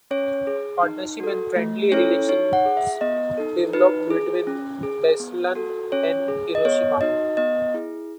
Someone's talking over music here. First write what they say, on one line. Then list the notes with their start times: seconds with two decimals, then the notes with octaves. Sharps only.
Partnership and friendly relations developed between Beslan and Hiroshima.
0.11 C#4 C#5
0.47 G#4
0.83 D#4
1.20 F#4 A4
1.56 A3
1.92 C#4 E4 A4 C#5
2.29 D#4 C#5
2.53 F#5
2.66 G#4
2.77 E5
3.01 B3 D#5
3.38 D#4 A4
3.73 D#4 B4
4.11 G#4
4.47 C#4
4.83 G#4
5.20 B3
5.55 F#4 A4
5.92 C#4 C#5
6.28 G#4
6.55 D#5
6.65 B3 C#5
7.01 D#4 F#4 D#5
7.37 B3 D#5
7.74 E4 G#4